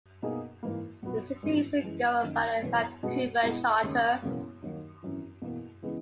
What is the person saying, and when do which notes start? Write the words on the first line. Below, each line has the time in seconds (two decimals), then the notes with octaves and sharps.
The city is governed by the Vancouver Charter.
0.22 B2 A#3 D#4 G#4
0.63 G#2 E3 A#3
1.02 B1 A#2 F#3 B3 F#4
1.43 G#1 G#2 E3 G#3 C#4
1.82 F#2 E3 G#3
2.22 F#2 D#3 A#3
2.63 E1 E2 B2 F#3
3.03 B2 G#3 B3 F#4
3.43 B2 G#3 B3 E4
3.82 D#2 C#3 G#3
4.22 E1 E2 C#3 F#3 A#3
4.62 D#2 D#3 F#3 A#3
5.03 G#1 F#2 E3
5.42 E2 B2 A#3
5.82 C#3 E3 G#3 B3